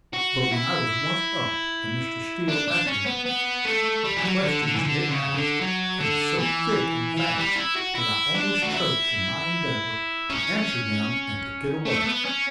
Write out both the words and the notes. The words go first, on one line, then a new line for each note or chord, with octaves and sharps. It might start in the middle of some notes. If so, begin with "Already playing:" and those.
But when I was once up and Mr. Steele after me, the questions they asked came so thick and fast that I almost choked in my endeavor to answer them and to get away.
F#4
E4
D4
D4
C#4
B3
B3
A3
G3
E3
F#3
D3
D3
E3
D3
C#3
D3
F#3
D3
E3
E3
G3
E4
F#4
E4
D4
F#4
E4
C#4
A3
A3
B3
C#4